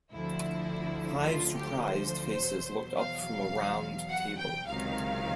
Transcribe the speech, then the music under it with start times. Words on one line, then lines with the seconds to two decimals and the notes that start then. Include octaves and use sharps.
Five surprised faces looked up from a round table.
0.13 D2 D3 F3 E4
1.26 F4
1.55 G4
1.83 C5
2.40 E2 B2 F#3
2.97 F5
4.09 F#5
4.37 G5
4.66 C#2 C3 D#3 F#3 F5